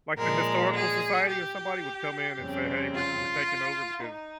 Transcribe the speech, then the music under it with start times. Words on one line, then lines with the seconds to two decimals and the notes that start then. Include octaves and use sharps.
Like, the historical society or somebody would come in and say, "Hey. We're we're taking over because
0.18 A#2 F3 G#3 A#4
0.74 G#4
1.29 G4
2.40 F2 C#3 G3 C4
2.94 F4
4.05 D#4